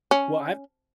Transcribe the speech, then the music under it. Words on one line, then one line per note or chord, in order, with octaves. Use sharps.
Well, I've
C#4